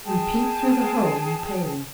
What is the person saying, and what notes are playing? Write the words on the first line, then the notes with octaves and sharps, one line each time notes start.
We peeped through the hole in the paling.
G#4 G5 A5